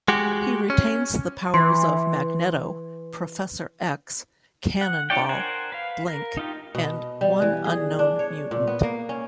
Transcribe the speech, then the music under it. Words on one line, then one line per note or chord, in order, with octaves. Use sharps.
He retains the powers of Magneto, Professor X, Cannonball, Blink, and one unknown mutant.
G#3 F#4 G4
C#4
E3 C6
F#5
D4 F4 C#5 D5 G5
A#4 C5 F#5 G#5
B4 F5
A#4
D#4 F4 G4
B2
G3
E3
G#4
D4
C#5
A#2
B3
A#3
C#4